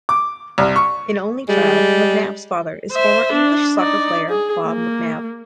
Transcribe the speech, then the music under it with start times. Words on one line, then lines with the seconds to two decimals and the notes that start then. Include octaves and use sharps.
An only child, McNab's father is former English soccer player Bob McNab.
0.09 D6
0.58 C2
0.76 C#6
1.49 G3 G#3
2.92 C5 E5
3.33 D4
3.77 D#4 D5
4.29 G#4
4.65 A#3